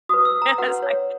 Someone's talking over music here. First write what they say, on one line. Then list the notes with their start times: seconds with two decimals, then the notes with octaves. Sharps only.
It's like
0.09 F#4 B4 D#6
0.25 E6
0.42 A#5
0.58 C#4 F#4 B4 F#5
0.83 C#5